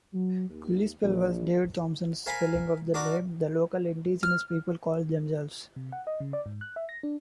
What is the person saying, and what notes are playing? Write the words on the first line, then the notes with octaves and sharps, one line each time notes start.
Kullyspel was David Thompson's spelling of the name the local indigenous people called themselves.
F#3
D#2
A#1
A#4 C5 F5 G#5 A#5 B5
D4 F#4 A#4 D5
F6
C3
F#5
D#5
C#3
D5
G#2
F#6
E5
A#6
D4